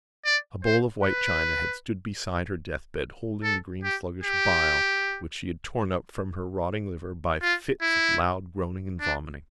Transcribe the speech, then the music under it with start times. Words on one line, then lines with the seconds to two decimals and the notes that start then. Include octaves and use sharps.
A bowl of white china had stood beside her deathbed holding the green sluggish bile which she had torn up from her rotting liver by fits of loud groaning vomiting.
0.25 D5
0.65 C5
1.04 B4
3.43 A4
3.84 G4
4.24 G4
7.42 F4
7.81 E4
9.01 D4